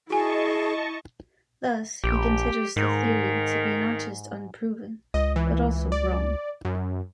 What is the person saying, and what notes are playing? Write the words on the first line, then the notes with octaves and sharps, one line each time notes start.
Thus, he considers the theory to be not just unproven but also wrong.
E4 F#4 G#4 D#5 G#5 A5 C#6
A#1 G4
G#2 D#3
C#2 D#5
E3
D5
F#2